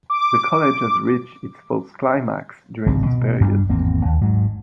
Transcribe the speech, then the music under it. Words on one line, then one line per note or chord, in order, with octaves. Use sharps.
The College has reached its first climax during this period.
D6
G#1 C#2 G3 C4
B2
G2 G3 D4
G#1 E2 A#3 C4
D#2
G#2 F#3